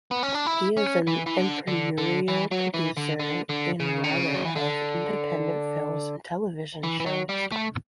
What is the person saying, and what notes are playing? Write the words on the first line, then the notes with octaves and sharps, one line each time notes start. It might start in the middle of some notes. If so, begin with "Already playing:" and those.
He is an entrepreneurial producer and writer of independent films and television shows.
B3
C#4
D4
E4
C#4
E3
E3
D3
D3
D3
E3
F#3
E3
D3
D3
D3
C#3
D3
C#3
F#3
E3
D3
E3
E3
F#3
G3
A3